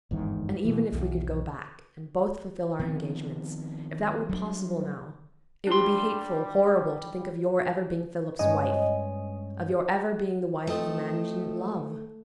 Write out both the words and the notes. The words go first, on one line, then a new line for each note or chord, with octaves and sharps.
And even if we could go back, and both fulfil our engagements,--if that were possible now,--it would be hateful, horrible, to think of your ever being Philip's wife,--of your ever being the wife of a man you didn't love.
G1 E2 G#2 D#3
B2 E3
B1 E2
D#3 F3 B3 C4
F#3 G3 B3 D4
G3 D4 C6
G2 G#3 C#4 D#5
F3 A3 C4 D#5